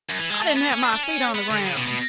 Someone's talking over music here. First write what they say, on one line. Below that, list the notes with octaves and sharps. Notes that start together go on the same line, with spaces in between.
I didn't have my feet on the ground.
F#2
E3
G#3
A3
B3
C#4
D4
D4
C#4
B3
D3
C#3
B2
B2